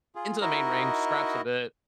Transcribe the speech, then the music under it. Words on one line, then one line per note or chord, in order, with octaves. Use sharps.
into the main ring, scraps a bit,
F4 G#4
D#4 E4 F#4 A#4 D#5